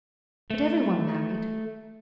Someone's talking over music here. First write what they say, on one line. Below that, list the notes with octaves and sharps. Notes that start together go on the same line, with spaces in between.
But every one married.
A3